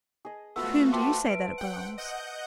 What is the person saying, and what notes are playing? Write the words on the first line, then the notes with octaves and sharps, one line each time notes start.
"To whom do you say that it belongs?"
G#4 D#5
A3 B3 F4 F#4 B4 E6
C5 E5 G5 A5 C6 D6
B4 E5 D7
F#5 G5
D#5 F#5 G6